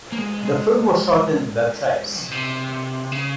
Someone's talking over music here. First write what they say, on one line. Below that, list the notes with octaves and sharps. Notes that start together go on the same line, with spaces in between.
The film was shot in the Berkshires.
A#3
G#3
G#3
A#2
C3
C#3